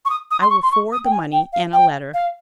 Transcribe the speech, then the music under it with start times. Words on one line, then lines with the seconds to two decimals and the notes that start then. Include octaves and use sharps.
I will forward the money and a letter.
0.05 C#6
0.10 D#6
0.31 D#6
0.41 C6
0.50 C#6
0.62 C6
0.71 C#6
0.92 D#6
1.05 G5
1.11 G#5
1.32 G5
1.52 F5
1.73 G5
2.13 F5